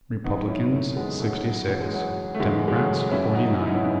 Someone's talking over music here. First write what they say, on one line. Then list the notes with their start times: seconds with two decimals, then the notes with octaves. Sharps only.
Republicans, sixty-six; Democrats, forty-nine.
0.24 F#1 F#2 D#3 B3 D#4
0.48 C#4 E4
0.72 A3 C#4
0.96 F#1 F#2 D#3 G#3 B3
1.20 F#3 A3
1.45 F#3
1.67 F#1 E2 C#3 E3 F#3
1.81 G#3
1.94 F#3
2.35 A3
2.39 F#1 E2 C#3 E3 G#3
2.68 G#3
2.75 F#3 A3
3.11 F#1 F#2 C#3 E3 C#4 E4
3.35 D#4 F#4
3.60 E4
3.67 D#4
3.75 C#4 E4
3.83 C#3 B3 D#4